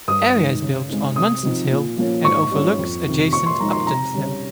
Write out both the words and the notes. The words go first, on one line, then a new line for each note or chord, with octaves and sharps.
The area is built on Munson's Hill, and overlooks adjacent Upton's Hill.
G2 D#6
D#3 G#3 D#4
C#3
G#3 C4 D#4
C3 D#6
F3 C4 D#4
A#2
F3 A#3 C#4
G#2 C#6
G3 C#4 F4
F2
C3 D#3
A#2 C#6
C6
F3 G#3 D#4 A#5
C6
C3 A#5
G3 C#4